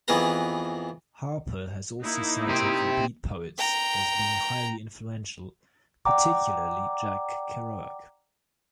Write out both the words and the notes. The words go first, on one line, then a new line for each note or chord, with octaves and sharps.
Harper has also cited the Beat poets as being highly influential, particularly Jack Kerouac.
F2 E3 B3 G#4 B4 A#5
A#3 D#4 E4
G4 C5
G5 A#5
D5 F#5 G5 A#5 D6